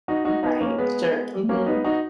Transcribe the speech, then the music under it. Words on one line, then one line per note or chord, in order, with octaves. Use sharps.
Right, sure. Mhm.
D#4 F#4
D#4 F#4
B3 D#4
A#3 C#4
G#3 B3
A#3 C#4
B3 D#4
D#4 F#4